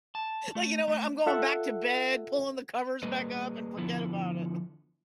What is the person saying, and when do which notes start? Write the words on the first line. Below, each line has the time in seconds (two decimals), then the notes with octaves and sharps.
like, "You know what I'm going back to bed, pulling the covers back up, and forget about it!"
0.15 A5
0.55 A3
0.88 A3
1.26 F4 A4 E5 F#5
3.03 G3 A#3 G#4 B4 D#5
3.77 D3 F3 B3 E4